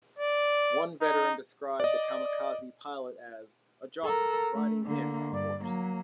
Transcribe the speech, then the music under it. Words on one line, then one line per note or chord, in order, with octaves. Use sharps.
One veteran described the kamikaze pilot as: a jockey riding in on a horse.
D5
D#4
D5 D#5
A4 A#4
A3
D3 A#3
G2 D5
F#3 A#3